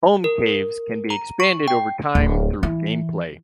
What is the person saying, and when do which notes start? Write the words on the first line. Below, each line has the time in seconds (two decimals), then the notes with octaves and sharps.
Home Caves can be expanded over time through gameplay.
0.24 A#4
1.10 A#5
1.40 C#6
1.68 G5
2.15 D1
2.63 E3